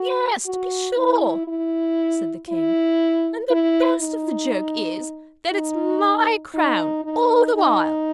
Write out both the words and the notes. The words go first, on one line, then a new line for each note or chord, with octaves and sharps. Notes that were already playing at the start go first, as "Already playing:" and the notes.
'Yes, to be sure,' said the King: 'and the best of the joke is, that it's MY crown all the while!
Already playing: F#4
F#4
E4
E4
E4
E4
D#4
D#4
D#4
D#4
D#4